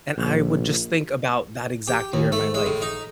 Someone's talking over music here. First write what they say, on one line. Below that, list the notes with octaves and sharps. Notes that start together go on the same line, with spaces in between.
And I would just think about that exact year in my life
A#1
G4
D#2
A3
G#3
A2
D#4